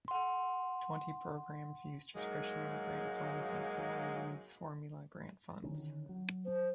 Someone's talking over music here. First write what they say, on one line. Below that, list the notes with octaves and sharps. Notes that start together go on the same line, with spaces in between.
Twenty programs use discretionary grant funds and four use formula grant funds.
F#5 C6
G#2 F#3 G#3 A#3
D3 D#3 C#4
F#3
C5